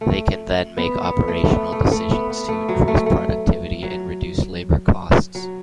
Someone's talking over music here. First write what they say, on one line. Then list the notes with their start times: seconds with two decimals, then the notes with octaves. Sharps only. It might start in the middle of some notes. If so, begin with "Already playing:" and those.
They can then make operational decisions to increase productivity and reduce labor costs.
0.01 A3
0.77 B3
1.03 B3
1.28 A3
1.44 A3
1.53 B3
1.72 A3
1.92 A3
2.11 B3
2.30 B3
2.49 A3
2.69 F#3
2.88 A3
3.06 A3
3.83 F#3
5.35 F#3